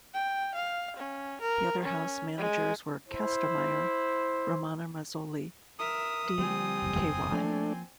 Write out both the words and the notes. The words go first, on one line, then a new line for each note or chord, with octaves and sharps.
The other House managers were Kastenmeier; Romano Mazzoli, D-Ky.
G5
F5
C#4
A#4
C#4
G#3
E4 C5
A#4 E5 D#6
D3 F3 G3 A#3 C4 G#5
F#1 E2
F3 A3 A#3 C#4 D4